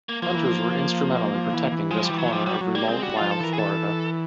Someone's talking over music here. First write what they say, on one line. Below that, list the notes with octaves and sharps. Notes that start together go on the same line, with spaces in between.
Hunters were instrumental in protecting this corner of remote, wild Florida.
A#3
F3 A#3
E3
F3
F3
E3
E3
F3 G#3
E3 G3
F#3
F3 G3
F#3 G3
F#3
G3 A#3
G#3 C4
G3 F#4
F3 F4
A4
E3 A#4
G#4
A4